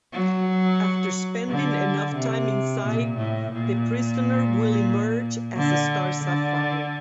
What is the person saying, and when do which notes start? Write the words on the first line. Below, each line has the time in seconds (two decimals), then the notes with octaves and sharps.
After spending enough time inside, the prisoner will emerge as a Star Sapphire.
0.13 F#3
1.49 D3
2.16 C3
2.84 A#2
3.18 A2
3.53 A#2
5.56 D3
6.24 D3